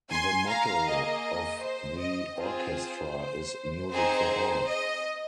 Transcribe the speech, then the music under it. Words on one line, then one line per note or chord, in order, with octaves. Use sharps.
The motto of the orchestra is "Music for All".
G#5 C6
F5 A#5
A#3 G#4 D#5
C5
D#5
C4 F4 G#4 C5
C4 D#4 G#4 C5
D#5